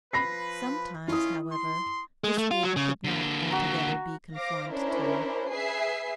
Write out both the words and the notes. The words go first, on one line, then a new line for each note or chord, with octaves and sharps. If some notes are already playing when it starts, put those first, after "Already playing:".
Sometimes, however, this rule could not altogether be conformed to.
F3 B4 B5 A#6 C7
D#3 C#4 E4 F4 D#6
C6
G#3
A3
F4
F#3
C#3
D3 A#3
F#4 A#5
C5 F5 D6 A#6
C#4 D4 E4 A#4 C5
G#4 B4 E5 C7